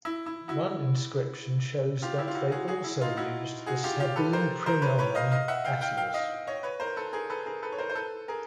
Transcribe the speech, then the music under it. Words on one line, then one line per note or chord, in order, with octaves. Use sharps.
One inscription shows that they also used the Sabine praenomen "Attius".
E4
E4
E4 F#4
F4 G4
E4
F4
E4 F#4
F#4 G#4
F#4 G#4
E4
D#4 F4
E4 F#4
F#4 G#4
F4 G4
F4 G4
A4 B4
A#4 C5
A#4 C5
B4 C#5
B4 C#5
D#5 F5
D#5 F5
E5 F#5
F5 G5
F5 G5
F5 G5
D#5 F5
C#5 D#5
B4 C#5
A#4 C5
A4 B4
G#4 A#4
A4 B4
G#4 A#4
A4 B4
C#5
A#4 C5
C5
A4 B4
G#4 A#4